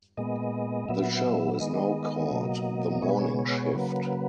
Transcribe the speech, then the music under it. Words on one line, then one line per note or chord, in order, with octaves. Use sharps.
The show is now called "The Morning Shift".
A#2 G#3 B3 D#5
A#2 F#3 B3 E5
E5
D#3 G#3 B3 D#5
B2 F#3 A#3
B2 G#3 B3 C#5
B4
C#5
C#5
C#3 F#3 A#3 B4